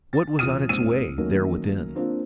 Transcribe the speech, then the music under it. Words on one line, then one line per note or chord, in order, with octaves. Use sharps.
What was on its way there within?
A6
E1 E3 F4 D#6 F6 D#7
D#2 G#2 C4 E6 D#7
D#3 F#3 A3 A#3 C#4 A#4
A#3 C4 D4 F4